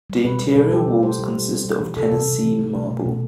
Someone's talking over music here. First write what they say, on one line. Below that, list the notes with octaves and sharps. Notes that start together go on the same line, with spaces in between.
The interior walls consist of Tennessee marble.
G3
B2 B4
G3 B4
B2 A4
G3 G4
G3
G3 C5
G3
G3
G3
G3
E3
C3 A4
C3
C3
E3
A3
B2
B2
B2